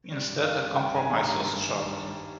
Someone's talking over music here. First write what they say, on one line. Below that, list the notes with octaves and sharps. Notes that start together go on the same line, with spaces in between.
Instead, a compromise was struck.
G3 D5
G2
D#3 F5
G2
G3 G5
G2 G#5
D#3
A#5
G2
G3
G2
D#3
G2
G3